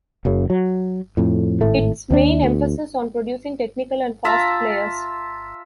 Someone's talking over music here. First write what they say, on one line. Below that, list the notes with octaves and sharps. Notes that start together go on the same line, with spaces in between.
Its main emphasis on producing technical and fast players.
F#1 F#2 C#3
F#3
F2 A2
G#1 A2 A3
D#2 C4 D4
D2
F4 E5 A5 A#5